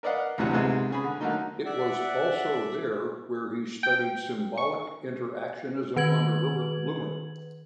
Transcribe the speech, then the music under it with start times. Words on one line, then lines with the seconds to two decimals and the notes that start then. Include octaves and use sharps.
It was also there where he studied symbolic interactionism under Herbert Blumer.
0.03 A#4 B4 D5 D#5 F5 F#5
0.38 D2 A2 C3 E3 F#3 F#5
0.52 G#2 C3 G#3 B3 D#4 F4
0.90 C#3 G#4 B5
1.04 D3
1.21 D3 F#3 A3 A#3 D#4
1.66 D5 E5 F#5
3.83 G5
4.57 C#6
5.96 D#3 B4 G#6 F#7